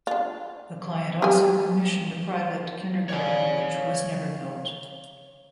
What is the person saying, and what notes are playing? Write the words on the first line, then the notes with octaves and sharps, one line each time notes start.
The client also commissioned a private kindergarten which was never built.
D4 F4
G4 G#5
C#5 D5 F5